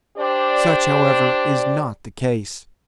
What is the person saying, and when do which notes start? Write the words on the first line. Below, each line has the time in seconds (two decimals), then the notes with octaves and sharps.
Such, however, is not the case.
0.18 D4 G4 C5 D5